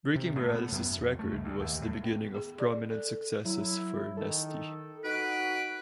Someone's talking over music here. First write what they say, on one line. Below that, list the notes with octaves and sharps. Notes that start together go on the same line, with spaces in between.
Breaking Morales's record was the beginning of prominent successes for Nesty.
C3
A2
B3
F#2
F2
A3
C#2
D2
D#2
A2
B3
G#4
D5
A4
F#3 E4
D#3 A4
D#4 F#4 B4 D7